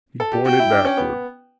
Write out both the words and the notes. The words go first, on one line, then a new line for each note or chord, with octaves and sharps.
He pointed backward.
A4
G4
F#4 G5
E4
D4
C#4
B3